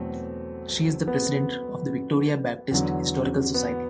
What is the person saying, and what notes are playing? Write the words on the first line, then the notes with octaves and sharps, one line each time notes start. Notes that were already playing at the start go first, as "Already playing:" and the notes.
She is the President of the Victoria Baptist Historical Society.
Already playing: E2 B2 F#3 A3 C4
B3
E2 D3 F#3
B3